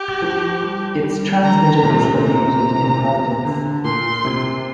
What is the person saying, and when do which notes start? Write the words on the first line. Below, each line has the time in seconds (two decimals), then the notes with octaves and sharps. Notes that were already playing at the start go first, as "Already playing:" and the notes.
Its transmitter is located in Providence.
Already playing: G4
0.22 F3
0.62 G3
1.02 G3
1.43 D3 A#5
1.83 A#2
1.90 C3
1.97 A#2
2.04 C3
2.12 A#2
2.18 C3
2.23 A#2 A#5
2.32 C3
2.40 A#2
2.47 C3
2.54 A#2
2.61 C3
2.68 A#2
2.74 C3
2.82 A#2
2.89 C3
2.96 A#2
3.04 C3
3.45 D3
3.84 A#2 C6
4.25 C3